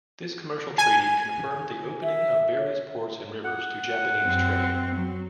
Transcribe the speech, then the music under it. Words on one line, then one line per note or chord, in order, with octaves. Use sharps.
This commercial treaty confirmed the opening of various ports and rivers to Japanese trade.
G#5
E5
C#5
F#5
F#2 C4
F#3